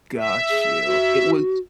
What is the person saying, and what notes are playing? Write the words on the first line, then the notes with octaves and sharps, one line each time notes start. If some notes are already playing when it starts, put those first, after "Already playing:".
Got you, it was
E5
G#4
F#4